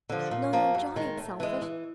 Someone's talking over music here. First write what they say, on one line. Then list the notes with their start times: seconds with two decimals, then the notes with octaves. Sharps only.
'No, no; John ain't selfish!
0.09 D3 F3
0.31 A#2
0.53 F3 A#3
0.75 F#2
0.96 D#3 G#3
1.17 A2
1.40 E3 G#3
1.62 E3